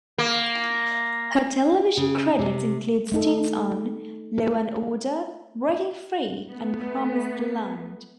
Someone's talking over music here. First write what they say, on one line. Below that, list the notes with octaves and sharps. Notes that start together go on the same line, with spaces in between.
Her television credits include stints on "Law and Order", "Breaking Free", and "Promised Land".
A#3
C#3
C3
A3 D#4 A4
A3 B3